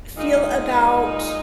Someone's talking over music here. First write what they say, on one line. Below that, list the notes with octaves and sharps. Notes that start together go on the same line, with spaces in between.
feel about
A#2 G#3 D#4